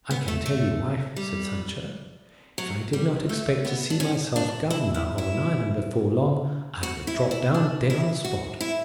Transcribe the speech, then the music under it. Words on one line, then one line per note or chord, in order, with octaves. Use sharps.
"I can tell you, wife," said Sancho, "if I did not expect to see myself governor of an island before long, I would drop down dead on the spot."
B3
A3
A3
G3
F#3
G3
A3
B3
D4
C#4
D4
E4
E4
E4
F#4
E4
E4
D4
E4
F#4
E4